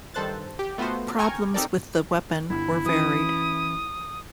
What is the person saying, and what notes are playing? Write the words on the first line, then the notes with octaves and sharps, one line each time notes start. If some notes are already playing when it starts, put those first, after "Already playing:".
Problems with the weapon were varied.
G2 D#3 A4 C5 F#6 A6
G4
A3 B3 F4 F#4 C5
G5 G#5 A#5 C#6 F6 G#6
C4 D#4 G4 A4 A#4 D5
G1 E4
E3 C#4 D#6